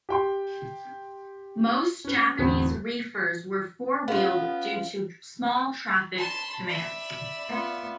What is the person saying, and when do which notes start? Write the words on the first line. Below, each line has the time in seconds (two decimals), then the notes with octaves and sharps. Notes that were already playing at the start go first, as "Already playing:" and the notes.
Most Japanese reefers were four-wheeled due to small traffic demands.
0.09 G4 G5 C6
2.04 C#4 B4
2.39 D1 E2 B3 C4 D#6
4.08 B3 C#4 F4 F5
6.17 A5 B5 C6
6.65 D5 E5
7.48 B3 F4